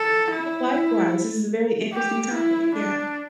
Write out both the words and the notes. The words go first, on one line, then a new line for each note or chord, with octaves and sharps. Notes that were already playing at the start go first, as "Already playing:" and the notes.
Yeah, likewise, this is a very interesting topic, yeah.
Already playing: A4
E4
E4
G4
E4
D4